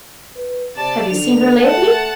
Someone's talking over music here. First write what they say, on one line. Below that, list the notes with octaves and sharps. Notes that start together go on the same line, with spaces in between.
"Have you seen her lately?"
B4
C3 D5 A5
D3 F7
A3 F#5 A5